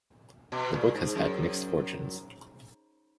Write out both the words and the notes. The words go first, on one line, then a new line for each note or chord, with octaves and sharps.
The book has had mixed fortunes.
B2
A#2
G#2
F#2